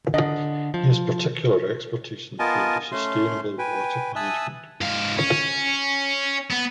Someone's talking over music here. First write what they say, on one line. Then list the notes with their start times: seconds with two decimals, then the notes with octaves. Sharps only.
He has particular expertise in the field of sustainable water management.
0.14 D3 D#5
0.74 F3
2.39 B3 F4 A#4 D#5 G#5 A5
2.92 A3 C#4 C6
3.59 B4 G5 G#5
4.16 E5 G#5 A5 D#6 E6 F#6
4.81 G#2 F5
5.17 C#4
6.50 B3